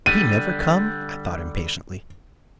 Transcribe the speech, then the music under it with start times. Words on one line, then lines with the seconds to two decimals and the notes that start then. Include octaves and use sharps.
Would he never come? I thought impatiently.
0.06 D3 G3 D#7